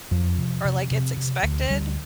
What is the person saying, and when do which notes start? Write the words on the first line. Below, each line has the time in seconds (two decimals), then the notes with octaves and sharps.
or like, it's expected,
0.11 F2 F3
0.38 C3
0.65 C3
0.91 C3
1.17 C3
1.43 D2
1.70 D2 G3